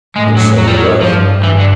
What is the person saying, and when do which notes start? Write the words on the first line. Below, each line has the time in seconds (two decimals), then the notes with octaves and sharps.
And so he was.
0.16 A2 G#3
0.37 F#3
0.58 F#3
0.67 G3
0.77 F#3
1.00 G2 F3
1.43 G2 E3
1.59 D3